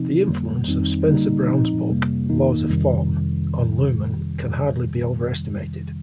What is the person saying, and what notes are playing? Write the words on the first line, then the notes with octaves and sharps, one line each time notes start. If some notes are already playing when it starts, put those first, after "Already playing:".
The influence of Spencer-Brown's book, "Laws of Form", on Luhmann can hardly be overestimated.
Already playing: C3 F3 C4 D#4
F2 D3 G3 A#3
F2 D#3 G3 C4 D#4
D3 G3 A#3 D#4
A#2 F3 C4 D#4
F2 C3 G3 A#3
F2 D#3 A#3 D#4
F2 C3 D#3 G3